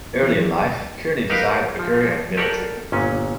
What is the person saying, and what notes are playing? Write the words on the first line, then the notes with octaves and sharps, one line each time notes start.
Early in life, Kearny desired a career in the military.
E3
C#2
D#4 G4 A#4 B4 F5
F3
G4 A4 A#4 C#5 D5 F#5
G1 A#2 C#4